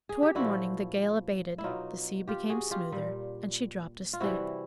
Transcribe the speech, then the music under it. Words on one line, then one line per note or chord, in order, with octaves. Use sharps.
Toward morning the gale abated, the sea became smoother, and she dropped asleep.
G#4
G4
A#2 F3 E4 F#4
E4
B2 F#3 D#4 F4
F4 G4
F#4 G#4
F4 G4
A#2 G3
F4
C3 E3 G3 E4 F#4